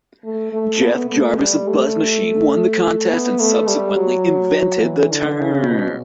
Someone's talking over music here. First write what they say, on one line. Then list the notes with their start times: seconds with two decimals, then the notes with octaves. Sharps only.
Jeff Jarvis of BuzzMachine won the contest and subsequently invented the term.
0.24 A3
0.53 A3
0.82 B3
1.10 A3
1.39 G3
1.68 A3
3.11 B3
3.40 A3
3.68 G3
3.96 F#3
4.82 E3
5.11 D3
5.40 C#3
5.68 B2